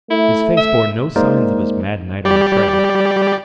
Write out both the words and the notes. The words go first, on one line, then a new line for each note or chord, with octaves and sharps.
His face bore no signs of his mad night on the trail.
A3 E4
E5
G#3 A#3 D#4 A#4 C5 D5
G3 G4 D5